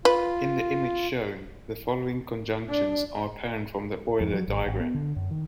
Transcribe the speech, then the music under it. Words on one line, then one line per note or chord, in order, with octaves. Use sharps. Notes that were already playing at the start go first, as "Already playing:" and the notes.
In the image shown, the following conjunctions are apparent from the Euler diagram.
F4 B4
D4
F2
F#3
G#1
G#1
B3
D3
F#2
D#3